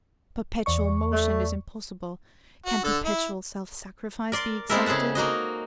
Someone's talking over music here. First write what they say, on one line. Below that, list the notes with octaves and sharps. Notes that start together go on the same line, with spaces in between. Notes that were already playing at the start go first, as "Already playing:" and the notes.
If perpetual motion is impossible, can perpetual self-sacrifice be exacted?
E2 D5 C#6
A3
F#4
D3 A4 E6
E4
A#4 D5 C6
G#3 B3 C4 E4 A4 A#4
C#3 G#4 A4 F#5 A5
A#3 D#4 F#4 D#5